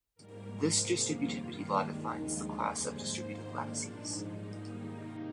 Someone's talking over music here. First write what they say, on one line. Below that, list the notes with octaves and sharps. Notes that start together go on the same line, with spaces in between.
This distributivity law defines the class of distributive lattices.
G#2 G3 A#3 A#4
G#2 F3 G#3 A#4
C3 F3 A#3 G#4
F2 D#3 G3 A#3 F4
G2 D#3 G3 A#3
D#2 D#3 G#3 D4
D#2 D#3 G#3 D#4
D#2 D3 F3 G#3 F4
F2 D3 G3 A#3 G#4
G#2 F3 G#3 C5
G#2 D#3 A#3
G#2 D#3 A#3 D4
A#2 F3 G#3
G#2 F3 G#3 D#4
G#2 G3 A#3
G#2 D#3 G3 A#3 D#4
C3 D#3 A#3